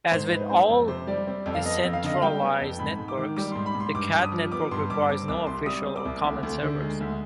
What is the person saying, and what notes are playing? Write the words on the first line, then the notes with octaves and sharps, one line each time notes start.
As with all decentralized networks, the Kad network requires no official or common servers.
G#2 C5
G#2 B4
C4 C5
F2
C3 C5
G3 D5
C4
F2
F5
B3 D#5
F2
F5
D3 D#5
F5
G3 G5
B3
F2
G#2 B5
G#2
D6
D#3
G3 D6
G#2 C6
B5
G#2
C6
G2 D6
G2
D#6
F3
B3 D6
G2 C6
G2 D6
C4 D6
C2 D6
C3 C6
G3 D#6
C4
D6
C2
D2
D2
D3
G#3
D2